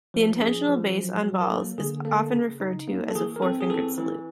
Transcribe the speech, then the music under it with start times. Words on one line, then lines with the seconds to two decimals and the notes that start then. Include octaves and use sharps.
The intentional base on balls is often referred to as a four-fingered salute.
0.14 F3
0.41 C#4 G#4
0.69 F3
0.95 F#3
1.23 F#3
1.41 A#4
1.50 A#3 A4
1.78 D3 G#4
2.05 A#3 A4
2.33 C#3
2.60 D#4
2.88 A#3
3.09 A4
3.15 E3 G#4
3.36 A#4
3.42 C4 A4
3.61 G#4
3.70 E3 A4
3.98 E3